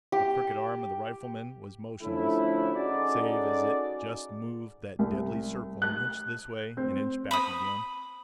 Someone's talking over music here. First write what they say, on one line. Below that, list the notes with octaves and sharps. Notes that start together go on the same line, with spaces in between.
The crooked arm of the rifleman was motionless, save as it just moved that deadly circle an inch this way, an inch back again.
G4
D3 F3 A3 C#4 E4
C#4 D#4 F#4 G#4 A4 D5
C2
F#6
C4
B5 D#6